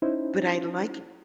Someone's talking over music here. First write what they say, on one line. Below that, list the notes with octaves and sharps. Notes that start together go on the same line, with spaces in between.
But I'd like
C#4 D#4 E4 C5